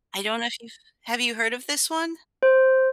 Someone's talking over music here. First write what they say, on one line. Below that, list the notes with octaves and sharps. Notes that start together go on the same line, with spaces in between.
I don't know if you've have you heard of this one?
C5